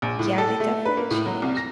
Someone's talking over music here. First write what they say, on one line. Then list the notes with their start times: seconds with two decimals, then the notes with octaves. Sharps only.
Yeah, they definitely change.
0.02 A#1
0.19 A2
0.38 A4
0.60 A3
0.85 B4
0.97 A#3
1.11 A2
1.26 F#3
1.42 C2
1.57 A#6